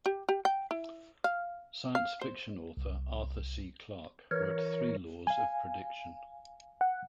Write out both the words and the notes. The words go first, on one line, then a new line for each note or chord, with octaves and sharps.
Science fiction author Arthur C. Clarke wrote three laws of prediction.
G4
G4
G5
E4
F5
F5
C5
C2
E3 A#4 C#5
F5 G#5
F#5